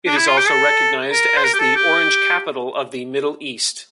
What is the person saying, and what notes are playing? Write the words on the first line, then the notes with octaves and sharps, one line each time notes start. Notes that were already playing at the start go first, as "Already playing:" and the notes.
It is also recognized as the orange capital of the Middle East.
D4
E4
F4
G4
A4
A#4
C5
A#4
G4
A4
G4